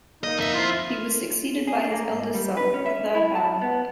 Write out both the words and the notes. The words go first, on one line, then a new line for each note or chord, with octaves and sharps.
He was succeeded by his eldest son, the third Baron.
A#3 D#4 D#5
F2 E5
F3 E4 F4
G#4
A#3
G#2
G3
B4
C#4
E5
E4
A5
B3